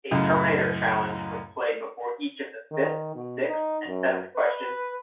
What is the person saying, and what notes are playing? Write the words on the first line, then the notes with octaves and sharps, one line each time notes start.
A Terminator challenge was played before each of the fifth, sixth, and seventh questions.
C#2 F#2 A2
D#3
B2
D#4
F#2
B4